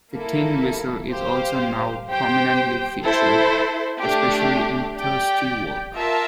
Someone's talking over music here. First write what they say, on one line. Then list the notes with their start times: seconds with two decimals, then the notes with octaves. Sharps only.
The tin whistle is also now prominently featured, especially in Thirsty Work.
0.15 A#3 E4 A4
1.11 G4 C5 F5
2.08 G4 C5 G5
3.04 E4 A4 C5
4.01 A3 D4 G4
4.96 G4 D5 G5
5.93 F4 A#4 E5 A5